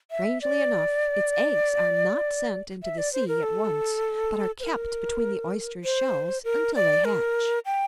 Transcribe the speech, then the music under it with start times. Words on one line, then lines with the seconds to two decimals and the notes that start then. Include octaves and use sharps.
Strangely enough, its eggs are not sent into the sea at once, but are kept between the Oyster's shells until they hatch.
0.11 E5
0.42 D5
2.83 E5
2.98 D5
3.13 C5
3.28 A#4
3.43 A4
4.60 C5
4.63 A#4
5.84 C5
6.44 A#4
6.75 D5
7.05 A#4
7.65 G5